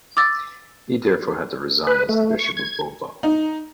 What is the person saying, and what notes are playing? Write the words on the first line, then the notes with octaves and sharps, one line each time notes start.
He therefore had to resign as bishop of Bova.
D6 E6 A6
B4
A3
C#6
G#6
D#4